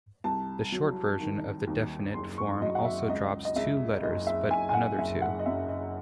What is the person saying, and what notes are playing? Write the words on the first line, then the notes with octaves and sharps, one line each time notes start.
The short version of the definite form also drops two letters, but another two.
C2 A5
F#3
D#3
D#2
F#1 C6
C#6
F#3 D#5
F#5
E5
C#2 D#5
D#5
C#2 E5
F#1 D#5
E5
F#1 G#5
G#5
F#5
F#1 E5
F#5
D#5
F#2 E5
D#5